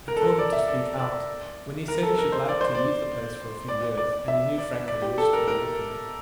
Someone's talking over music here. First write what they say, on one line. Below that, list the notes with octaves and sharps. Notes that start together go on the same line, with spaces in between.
I told him to speak out, when he said he should like to leave the place for a few years, and he knew Frank had a wish to go with him.
A#4
A4
A#4
D5
E5
D5
D5
A#4
A4
A#4
C5
D5
C5
D5
D5
D5
D5
E5
D5
D5
G4
A4
A#4
A#4